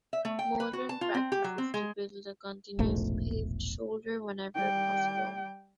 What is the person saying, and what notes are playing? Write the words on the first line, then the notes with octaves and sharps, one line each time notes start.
Modern practice is to build a continuous paved shoulder whenever possible.
E5
A3
G5
B4
F#4
A5
F4
C4
G4
F#3
C4
G#3
E1 A#1 G#2 A3
G3 G5